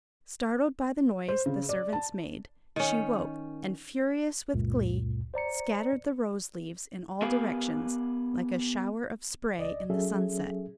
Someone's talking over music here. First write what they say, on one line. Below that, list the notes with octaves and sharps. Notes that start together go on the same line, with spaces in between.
Startled by the noise the servants made, she woke, and, furious with glee, scattered the rose-leaves in all directions, like a shower of spray in the sunset.
C5
C#3
D5
A5
D#3 C#4
C#2 F#2 A#2
C5 D5 A#5 C#7
B3 G4 A#4 B4 F5 G#5
C#2 D5 D#5
F#3 C#4 G#4 A4 E5